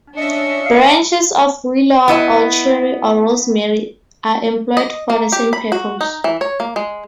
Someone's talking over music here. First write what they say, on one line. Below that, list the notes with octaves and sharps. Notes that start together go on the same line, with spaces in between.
Branches of willow or cherry or rosemary are employed for the same purpose.
C#4 D4 D#5 E5 C#7
F5
B3 E4 D#5
D#5
A#3
G4
B5
F#4
D#4
E3
C#5
A#3
G#3